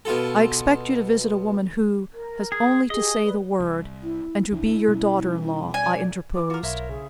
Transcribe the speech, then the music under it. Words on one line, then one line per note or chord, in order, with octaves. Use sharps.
"I expect you to visit a woman who has only to say the word and to be your daughter-in-law," I interposed.
B2 F4 A4
A#4
G#4
G4 G#4 D#5
B4 D5
C2
E4
C#2 D4 E4
B2 G3 C#4
D5 G#5
E3 D6
F4 F#4 A#4
B1 E4 A#4 C5 C#5 F5
C#3 G#4